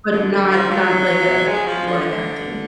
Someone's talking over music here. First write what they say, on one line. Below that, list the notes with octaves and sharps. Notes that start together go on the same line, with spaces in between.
but not not like a live acting.
D3
D3
F3
F#3
G#3
F3
D3